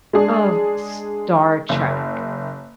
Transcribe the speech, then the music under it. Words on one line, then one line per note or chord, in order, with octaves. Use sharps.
of Star Trek,
G#3 D4 G#4
F#1